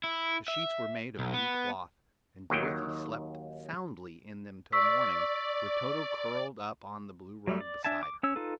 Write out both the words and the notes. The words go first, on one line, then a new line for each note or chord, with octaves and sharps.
The sheets were made of blue cloth, and Dorothy slept soundly in them till morning, with Toto curled up on the blue rug beside her.
E4
E5
B1
B3
D#2 D#3 F#3 G5
D5 C#6 E6 B6
F#3 G3 A3
D5
D4 E5 G#5 A5
D6
C#4 C#5 E6
D#4 F4 A4 B4